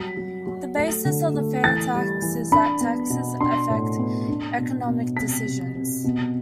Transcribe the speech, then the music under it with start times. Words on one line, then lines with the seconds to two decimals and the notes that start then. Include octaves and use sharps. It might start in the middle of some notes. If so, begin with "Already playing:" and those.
The basis of the FairTax is that taxes affect economic decisions.
Already playing: F#3 G3 B6
0.17 F#3
0.47 F#3
0.76 A3
1.05 D3
1.34 A3
1.64 E3 A6
1.94 G3
2.22 E3
2.52 D4 B5
2.81 B3
3.10 B2
3.41 D4 C6
3.70 A2
3.99 B3
4.28 D4
4.58 B2
4.87 B2
5.17 C3 B6
5.45 C3
5.75 C3
6.04 B2